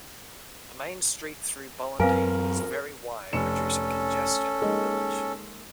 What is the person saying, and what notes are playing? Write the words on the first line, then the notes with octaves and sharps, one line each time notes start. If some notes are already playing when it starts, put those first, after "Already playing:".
The main street though Ballindine is very wide reducing congestion in the village.
F#2 C4 A#4 B4 F5 G#5
F1 C#4 A4 C#7 E7
G#3 A#3 D#4